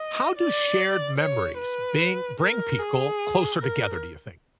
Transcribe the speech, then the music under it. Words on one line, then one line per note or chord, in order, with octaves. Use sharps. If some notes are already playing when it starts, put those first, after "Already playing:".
How do shared memories bing bring people closer together, do you think?
Already playing: D#5
D5
C#5
B4
A#4
G#4
A#4